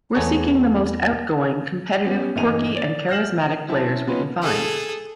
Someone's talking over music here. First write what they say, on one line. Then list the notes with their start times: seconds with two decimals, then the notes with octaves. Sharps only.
We're seeking the most outgoing, competitive, quirky and charismatic players we can find.
0.15 E2 A3 B3 G#4 C#5 A#5
2.04 B3 C#4 G4
2.35 G1 A#2 E3 D#4 D#7 F7
2.76 D5 A6
3.09 F6 G6 A#6 C7 E7 F#7
3.68 F#3 C#4 E4 C5 A5
4.07 A#3 B3 C#4 D#4 F4 B4
4.42 G#4 A4